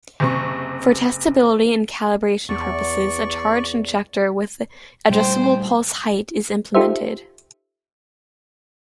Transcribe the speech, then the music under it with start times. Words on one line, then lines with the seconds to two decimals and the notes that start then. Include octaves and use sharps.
For testability and calibration purposes, a charge injector with adjustable pulse height is implemented.
0.20 F#1 C3 C#6
2.49 E2 D5 C#6
5.09 A#2 G3 A3 C5 G5
6.74 D#4 F4 G4 A4 C5 E5